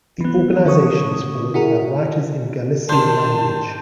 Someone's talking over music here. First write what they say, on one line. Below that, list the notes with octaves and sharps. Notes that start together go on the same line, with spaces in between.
The organization is formed by writers in galician language.
E3 B3
D3 C#4 F#4 C#6 D#6
E4 F#4 G#4 A#4
D#3 D4 C5 A5